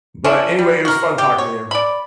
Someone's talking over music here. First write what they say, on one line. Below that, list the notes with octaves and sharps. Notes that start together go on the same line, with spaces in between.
But anyway, it was fun talking to you.
C#4 D4 E4
G3
F#4 A#4
G4
C#5
D5 B5